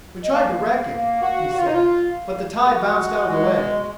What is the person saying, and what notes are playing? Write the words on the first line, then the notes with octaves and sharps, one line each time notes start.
"We tried to wreck it," he said, "but the tie bounced out of the way."
D#5
A#3 F5
A#3
F#4
F#4
F4
D#4
F4
G#4
F#4
G#3
G#3